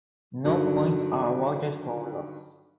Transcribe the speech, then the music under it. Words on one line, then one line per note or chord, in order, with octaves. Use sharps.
No points are awarded for a loss.
G2 D3 D#3 F#3